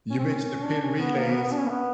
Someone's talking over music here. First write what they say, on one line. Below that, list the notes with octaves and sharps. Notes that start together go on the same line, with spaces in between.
You mentioned the pin relays.
C#4
C4
C#4
D4
C#4
B3
A#3
B3
B3
D4
C#4
A#3
B3